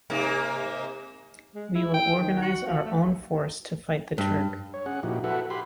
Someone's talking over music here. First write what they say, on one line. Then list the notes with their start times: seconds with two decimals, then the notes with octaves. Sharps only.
We will organise our own force to fight the Turk.
0.10 G#2 C3 A#3
1.55 G#3
1.75 E4
1.94 G5
2.21 D#3
2.41 F#4
2.66 F3
2.85 A3
4.18 G2
4.74 C#5
4.86 C#4 G#4 F#5
5.03 A#2 F3 D#4 E4 F#4 G4
5.24 F#4 A4 B4 E5 F#5
5.50 G4 B5 C6